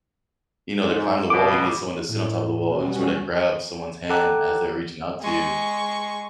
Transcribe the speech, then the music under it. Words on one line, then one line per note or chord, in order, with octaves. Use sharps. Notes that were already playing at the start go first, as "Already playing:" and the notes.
you know, they climb the wall, you needed someone to sit on top of the wall and sort of grab someone's hand as they're reaching out to you,
G#2
C#2 B2 D6
A2
B2 G3 C#4 F#4
A4 F#5 G5 A#5 D6 F#6
G#3 C#6